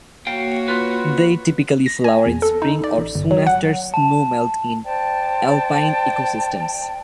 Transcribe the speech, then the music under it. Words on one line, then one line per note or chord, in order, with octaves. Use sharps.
They typically flower in spring or soon after snow-melt in alpine eco-systems.
A#3 F#4 C#5 F5 G5
F4 B4
A#6
G#5
E2
A4
D#4
D5
A1
G1
F#3
F#5
A5
C5 D5 G5 A5